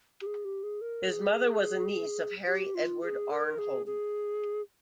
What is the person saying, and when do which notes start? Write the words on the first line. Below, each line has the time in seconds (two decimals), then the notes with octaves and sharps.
His mother was a niece of Harry Edward Arnhold.
0.22 G4
0.26 G#4
0.45 G4
0.63 G#4
0.81 A#4
1.08 G#4
2.47 G4
2.75 F4
3.03 G#4
3.31 A#4
3.58 G#4
3.86 G#4